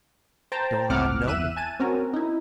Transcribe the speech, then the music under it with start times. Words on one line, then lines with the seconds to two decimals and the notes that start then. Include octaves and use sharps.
Don't I know it!
0.52 C5 G5 A5 A#5
0.90 G1 C#2 C4 F#5 D6 F6
1.27 E2 E5 F#6 D#7 E7
1.56 G#5 A5 D#7
1.80 C4 C#4 F#4 A#4
2.14 D#4 E4